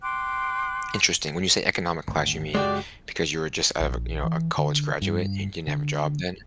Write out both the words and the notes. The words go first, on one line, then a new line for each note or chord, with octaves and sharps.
Interesting. When you say economic class, you mean because you were just out of a, you know, a college graduate and didn't have a job then?
G5 C6 D6 F#6
G#1 D2 G2
F#2 C#3 G#3 F#4 G4 D5
A#1
E3
D3
G2
D3